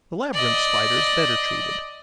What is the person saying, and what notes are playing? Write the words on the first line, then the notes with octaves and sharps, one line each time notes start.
The Labyrinth Spider is better treated.
D5 D#5